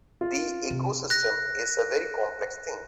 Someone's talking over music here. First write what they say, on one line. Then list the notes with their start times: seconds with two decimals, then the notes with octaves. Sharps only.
The ecosystem is a very complex thing.
0.21 F4
0.70 C3
1.10 F#6 A#6